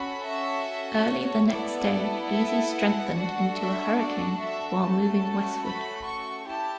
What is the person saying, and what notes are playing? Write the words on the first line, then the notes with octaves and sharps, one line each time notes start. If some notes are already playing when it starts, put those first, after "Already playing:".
Early the next day, Easy strengthened into a hurricane while moving westward.
Already playing: C#4 F#4 A4 B5
E5
C#5
B3 E4 A4 D5
E5
F#5
D4 F#4 A4
E5
D5
E5
A3 C#4 F#4 A4 A5
B5
C#6
E4 G4 A5